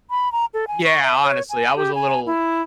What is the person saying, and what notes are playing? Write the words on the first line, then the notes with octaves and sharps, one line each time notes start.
Yeah, honestly, I was a little
B5
A#5
A4
G#5
C#6
E5
C#5
G#5
G4
G#5
E4